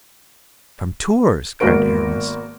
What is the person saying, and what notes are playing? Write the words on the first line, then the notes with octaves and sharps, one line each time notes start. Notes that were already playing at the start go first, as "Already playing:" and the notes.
"From Tours!" cried Aramis.
G#1 A#3 B3 F#4 A#4 D7